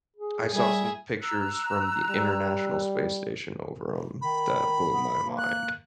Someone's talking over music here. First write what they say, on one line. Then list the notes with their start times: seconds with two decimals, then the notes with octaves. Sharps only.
I saw some pictures from the International Space Station over 'em that blew my mind.
0.16 G#4
0.53 G3 G#4 E5
1.22 A#5 E6 F#6
2.10 G3
4.22 D#3 B5
4.91 B3
5.20 A#3
5.38 F#6